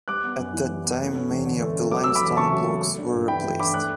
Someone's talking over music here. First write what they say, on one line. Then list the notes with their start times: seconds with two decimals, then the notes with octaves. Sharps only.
At that time many of the limestone blocks were replaced.
0.08 G3 D6 F#6
0.23 B3
0.38 F#2
0.53 E3
0.70 G3
0.84 B3
1.00 A3
1.15 C#4
1.30 E2
1.45 D3
1.60 A3
1.75 C#4
1.91 F#3 D6
2.04 A3 E6
2.15 B5 D6
2.22 E2
2.37 C#3 A5 C#6
2.53 F#3
2.67 A3
2.83 A3
2.98 D4
3.13 G2
3.28 E3 G5 B5
3.43 A3
3.60 D4 B5 D6
3.74 A3 D6 F#6